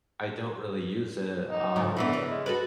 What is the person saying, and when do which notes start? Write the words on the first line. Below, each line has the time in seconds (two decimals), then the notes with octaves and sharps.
I don't really use it, um,
1.49 D#4
1.76 D2 G#2 C#3
1.97 A#2 D3 E3 B3
2.13 C#3
2.30 G#3
2.46 F#4 A4 B4